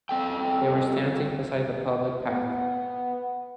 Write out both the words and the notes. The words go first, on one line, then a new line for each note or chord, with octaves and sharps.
They were standing beside the public path.
G2 C4 A4 G5
B3